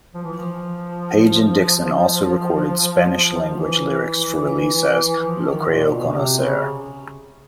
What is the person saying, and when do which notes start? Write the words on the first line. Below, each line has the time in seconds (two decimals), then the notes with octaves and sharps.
Paige and Dickson also recorded Spanish-language lyrics for release as "Lo Creo Conocer".
0.14 F3
0.24 E3
0.33 F3
3.55 E3
5.26 F3
5.47 D#3
5.69 A#2
5.89 B2
6.10 C3
6.39 C#3